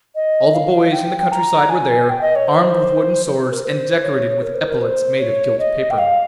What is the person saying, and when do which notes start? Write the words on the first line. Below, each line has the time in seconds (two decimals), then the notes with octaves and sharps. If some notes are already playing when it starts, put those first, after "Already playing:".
All the boys in the country side were there, armed with wooden swords, and decorated with epaulets made of gilt paper.
0.15 D#5
0.54 F5
0.93 G5
1.32 A#5
1.70 G#5
2.09 G5
2.21 D#5
2.36 C#5
2.48 C5
3.26 C5
3.38 C5
3.52 A#4
3.65 C5
4.04 C#5
4.42 A#4
4.55 C5
4.68 A#4
4.81 C5
5.19 C#5
5.59 D#5
5.91 G5
5.98 F5